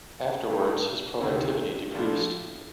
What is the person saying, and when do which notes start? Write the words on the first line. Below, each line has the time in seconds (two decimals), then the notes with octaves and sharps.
Afterwards his productivity decreased.
0.48 A2 A3 D#4
1.21 D2 C3 D#3
1.93 A2 F3 A3 D4 F4